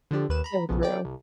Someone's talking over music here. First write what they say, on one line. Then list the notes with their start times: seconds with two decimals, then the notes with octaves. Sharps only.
So true.
0.11 D3 F3 D4 G4
0.29 D#2 B4 E7
0.44 A#5 B5
0.69 B1 F2 C#3 F3 B3
0.83 D5 G5
1.05 C2